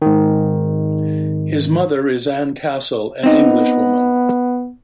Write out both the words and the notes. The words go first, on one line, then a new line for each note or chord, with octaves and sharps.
His mother is Anne Castle, an English woman.
G#2 D#3
B3 C4 D#4